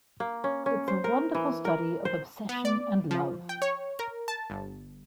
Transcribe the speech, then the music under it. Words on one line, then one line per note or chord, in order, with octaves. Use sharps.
It's a wonderful study of obsession and love.
A#3
C#4
C#4
C5
A#4
E3
A#4
C5
B3
D5
F3
G5
C#5
A#4
A5
G1